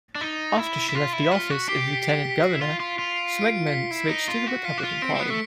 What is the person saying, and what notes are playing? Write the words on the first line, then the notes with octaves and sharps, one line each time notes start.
After she left the office of lieutenant governor, Schwegmann switched to the Republican Party.
D4
D#4 A6
E4
E4
F4 B6
E4
F4 B6 C#7
F#4
G4 C7 D7
B6 C#7
D7
B6 C#7
B6 C#7
F#4 C7 D7
E4
F4
F4
F4
C7 D7
C7 D7
B6 C#7
E4 C7
D#4
F4
F#4
F4 B6 C#7
F#4
F4
C4 D7
C#7
C4
B3 C7
A3 B6 C#7